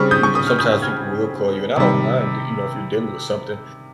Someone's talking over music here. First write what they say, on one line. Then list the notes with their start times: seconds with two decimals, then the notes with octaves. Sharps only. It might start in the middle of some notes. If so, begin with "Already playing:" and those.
You know, sometimes people will call you and I don't mind that, you know, if you're dealing with something,
Already playing: C#3 G3 C4 C#6 F6
0.11 D#6 G6
0.23 C#6
0.35 D#6
0.47 F6
0.59 D#6 G6
0.82 F6 G#6
1.77 C3 D#3 G3